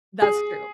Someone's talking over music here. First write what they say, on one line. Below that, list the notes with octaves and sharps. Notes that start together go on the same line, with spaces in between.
That's true.
G#4